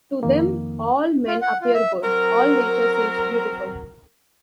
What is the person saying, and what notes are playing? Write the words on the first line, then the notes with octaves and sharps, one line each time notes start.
To them all men appear good, all nature seems beautiful.
F2 D#3 A#3
F4
F#5
F4
E5
F#3 C4 A#4